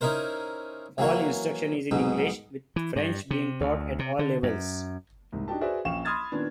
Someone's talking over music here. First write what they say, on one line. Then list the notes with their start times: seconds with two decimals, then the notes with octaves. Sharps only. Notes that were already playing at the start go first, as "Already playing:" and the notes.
All instruction is in English, with French being taught at all levels.
0.01 C#4 D#4 E4 A#4 C5
0.98 E3 F#3 A#3 C#5
1.91 B1 G#2 B2
2.76 E3
2.96 G2
3.31 C3
3.61 D2
3.99 C3
4.19 D3
4.43 F#2
5.32 C2 G#2
5.48 D4 D#4 F#4 G4 A5
5.61 F#4 G#4 B4 C5 D5 E5
5.85 A#1 C#4 F5 G5 C#6 E7
6.05 B5 C6 D#6 F6 G#6 A6
6.32 A#2 D#3 B3 C#4 D4